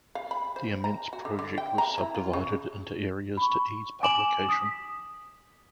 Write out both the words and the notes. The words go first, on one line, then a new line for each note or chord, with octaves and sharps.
The immense project was sub-divided into areas to ease publication.
F5
B5
C5
A#5
F#4
D3
D3
G5
A#5
E4
F4
C#3
B5 C#6
G#5 D6 D7 E7 F#7
D#6 B6